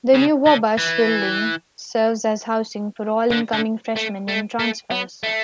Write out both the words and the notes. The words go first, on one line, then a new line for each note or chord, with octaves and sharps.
The new Wabash building serves as housing for all incoming freshmen and transfers.
C#3
D3
E3
D3
D3
A3
A3
A3
B3
A3